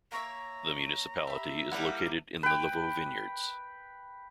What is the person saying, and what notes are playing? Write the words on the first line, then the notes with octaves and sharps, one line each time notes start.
The municipality is located in the Lavaux vineyards.
A#3 C#5 E5 A#5
G4 E5 B5
G3 A#3 E4 A4 F5 F#5
B4 G5